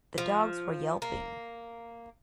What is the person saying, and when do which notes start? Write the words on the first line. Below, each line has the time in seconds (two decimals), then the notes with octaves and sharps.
The dogs were yelping.
0.18 F3
1.02 A#3